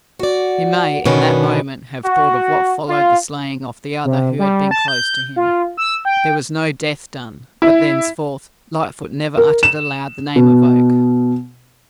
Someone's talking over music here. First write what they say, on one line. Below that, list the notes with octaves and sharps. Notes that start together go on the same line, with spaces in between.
He may, in that moment, have thought of what followed the slaying of the other who had been close to him. There was no death done, but, thenceforth, Lightfoot never uttered aloud the name of Oak.
F#4 D5
B2 D#3 B3 C#4 D4
F#4
F4
C3
G3
A5
G6
F4
E6
G5
E4
A#4
E7
B2